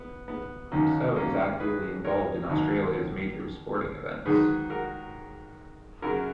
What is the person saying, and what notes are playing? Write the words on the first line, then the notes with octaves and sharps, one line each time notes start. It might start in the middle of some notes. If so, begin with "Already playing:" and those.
So is actively involved in Australia's major sporting events.
Already playing: B3
B3
D#2 D#3 F#3 A#3 C#4
A#3 C#4
G#4 B4
A#4 C#5
D#2 D#3 F#3
G#2 D#3 F#3 G#4 B4
F#4 A#4
F#2 C#3 F#3 F#4 A#4